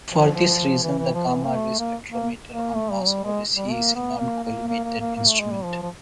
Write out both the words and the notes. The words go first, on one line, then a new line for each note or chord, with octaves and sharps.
For this reason, the gamma ray spectrometer on Mars Odyssey is a non-collimated instrument.
F3
F3
E3
E3
F3
E3
A#3
A3
A#3
A#3
A#3
A3
G3
F#3
G3
G#3
G3
A#3
B3
A#3
A#3
A#3
A#3
A#3
A#3
A3
G#3
G3
F3
F3